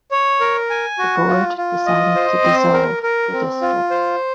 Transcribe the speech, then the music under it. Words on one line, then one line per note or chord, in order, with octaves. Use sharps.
The board decided to dissolve the district.
C#5
A#4
G#5
F#4
F4
F4
D#5
C5
C4
A#4
A#4
C4
F4
C5